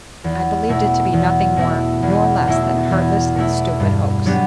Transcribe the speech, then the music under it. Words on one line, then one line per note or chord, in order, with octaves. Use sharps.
I believed it to be nothing more nor less than a heartless and stupid "hoax."
E2
B2 A3 E4
E2
B2 A3 E4
E2
B2 A3 E4
E2
B2 A3 E4
G2
F#3 B3 D4 G4